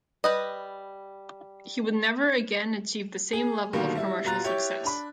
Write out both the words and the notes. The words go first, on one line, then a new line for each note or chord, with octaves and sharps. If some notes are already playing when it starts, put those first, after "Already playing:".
He would never again achieve the same level of commercial success.
G3 B4 D#5
G#4
B2 D3 D#3 G3 A#3
G3 E4
B2 G3 F4 A#5 F#6 A6
E4 G4 C#5
D4 B5